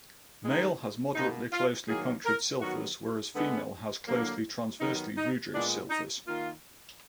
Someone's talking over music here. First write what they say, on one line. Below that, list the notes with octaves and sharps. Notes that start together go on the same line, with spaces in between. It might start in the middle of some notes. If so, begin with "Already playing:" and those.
Male has moderately closely punctured clypeus whereas female has closely transversely rugose clypeus.
D#3 G#3 B3
B2 A#3 D#4
F4
D#3 F#3 A#3 G#4
A#4
D#3 F#3 B3 F#4
D3 G#3 B3
D3 F#3 A#3
D#3 F#3 B3 D#4
D#4
A#2 G#3 B3 D4
D#4
D#3 A#3 F4